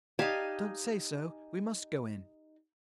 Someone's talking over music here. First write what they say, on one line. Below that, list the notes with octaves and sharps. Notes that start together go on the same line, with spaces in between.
'Don't say so; we must go in.
D#4 G4 F5 G#5 A5